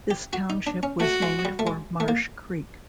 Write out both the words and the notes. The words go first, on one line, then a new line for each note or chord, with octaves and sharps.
This township was named for Marsh Creek.
G4
F#4
D#4
D4
C#4
A3 F#4
G#3
G3
A3
G#3
A3
A#3